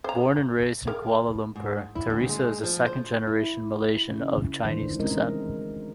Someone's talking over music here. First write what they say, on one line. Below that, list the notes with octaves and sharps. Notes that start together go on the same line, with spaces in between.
Born and raised in Kuala Lumpur, Teresa is a second-generation Malaysian of Chinese descent.
C5 A#5
A#4
G#2
E4
D2
G#3
F3
C5
E4
C#3 C#4
D#3 E3 G#3 A3 D4 C5
G#3 C4 C#4 A#4 D#5